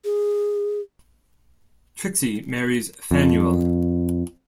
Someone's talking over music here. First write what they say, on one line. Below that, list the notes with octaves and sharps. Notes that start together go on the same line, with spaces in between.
Trixie marries Fanuel.
G#4
F2